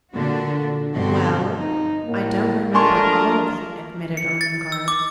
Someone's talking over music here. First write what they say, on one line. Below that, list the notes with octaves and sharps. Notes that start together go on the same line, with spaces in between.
"Well, I don't remember all of it," admitted Ermengarde.
A#2 D3 D4 F#4
G2 B2 D3 G3 C4 F#4
D#4
A2 A#3
A3 D4 F4 A#4 G#5 C6 C#6
C#7
A6
E6
D6